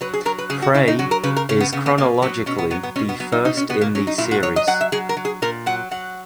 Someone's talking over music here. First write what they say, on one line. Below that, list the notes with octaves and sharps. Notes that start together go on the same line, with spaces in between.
"Prey" is chronologically the first in the series.
F#3 B4
G#4
F#3 A#4
B4
C#3 G#4
F#4
C#3 E4
D#4
F#3 F#4
A#4
C#3 B4
A#4
C#3 C#4
B3
C#3 B3
B3
B2 A#3
F#3 B3
B2 C#4
B3
F#3 B3
B3
B2 C#4
B3
F#3 B3
D#4
B2 D#4
C#4
B2 B3
A#3
F#3 C#4
D#4
A#2 E4
F#4
F#3 C#5
D#5
F#3 F#5
E5
F#3 G#4
A#4
F#3
G#4
A#2 A#4
F#3 F#5
F#3 F#5